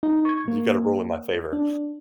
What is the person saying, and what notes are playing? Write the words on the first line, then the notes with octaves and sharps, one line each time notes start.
you gotta rule in my favor."
D#4
C#6 G#6
A#3
D4